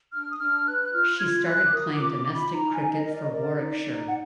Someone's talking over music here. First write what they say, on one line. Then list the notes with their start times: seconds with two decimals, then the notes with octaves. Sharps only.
She started playing domestic cricket for Warwickshire.
0.12 D4 F6
0.31 D#6
0.39 D4 F6
0.66 B4 F#6
0.82 F#6
0.93 F4 F6
1.19 F4 G#6
1.46 A#4 F#6
1.63 D6
1.72 A#4 D#6
1.93 D6
1.98 F4
2.12 D6
2.26 F4
2.32 B5
2.52 D#4 A#5
2.73 G#5
2.79 D#4
2.92 D#5
3.05 A#4
3.12 D5
3.22 D#5
3.31 A#4 D5
3.59 D#4
3.85 D#4
4.07 F#5